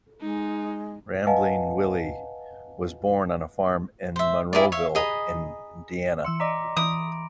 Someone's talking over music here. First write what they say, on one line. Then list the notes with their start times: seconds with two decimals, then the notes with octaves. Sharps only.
Rambling Willie was born on a farm in Monroeville, Indiana.
0.21 G#3 D#4
1.27 B4 D#5 F5 F#5 G#5 A5
4.16 C5 E5
4.53 E4 G#4 A#4 D5
4.72 C#5 E5 F5
4.95 G#4 D#5 A#5 B5
6.24 E3 C6 E6 C#7
6.40 D5 D#5 A#5 D6 A#6 B6
6.77 E3 B5 D#6 D7